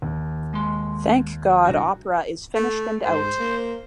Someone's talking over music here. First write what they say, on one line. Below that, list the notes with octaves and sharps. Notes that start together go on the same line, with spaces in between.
Thank God opera is finished and out.
D#2
G#3 C6
C2 D4 F#4
A3
G#2 C5
A#3